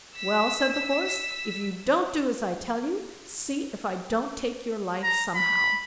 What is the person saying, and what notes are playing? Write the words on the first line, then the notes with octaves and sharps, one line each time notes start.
'Well', said the Horse, 'If you don't do as I tell you, see if I don't take your life somehow.'
E6 B6
A#5
B5